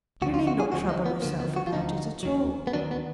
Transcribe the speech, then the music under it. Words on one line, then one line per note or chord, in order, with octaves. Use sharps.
You need not trouble yourself about it at all.
D2 D3 F3 F#4
F4
F#4
G#4
D2 D3 F3 F#4
D#4
B3
D2 D3 F3 A#3
B3
F#4
F4
D2 D3 F3 D#4
D#2 D#3 F#3
B3
D#2 D#3 F#3 D4
B3